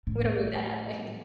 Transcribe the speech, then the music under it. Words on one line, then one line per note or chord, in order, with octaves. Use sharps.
We don't need that happening.
A2